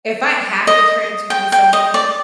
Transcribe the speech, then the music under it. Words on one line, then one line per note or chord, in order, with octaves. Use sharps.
if I have to transfer you to someone,
D#5
G5
G5
D#5
D5